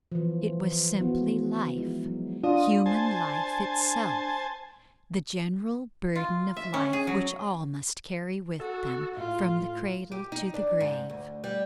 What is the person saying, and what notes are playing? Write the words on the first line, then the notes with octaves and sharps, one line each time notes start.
It was simply life, human life itself, the general burden of life which all must carry with them from the cradle to the grave.
E3 F3
B3 E4 F#4
F3 G#3 E4
F#3
D4 F4 D#5
C5 G#5 A5
F4
E5
C#4
G#4
F#3
F#4 A4
A2 F4
G4
D#4
D4
G#2
D2
G3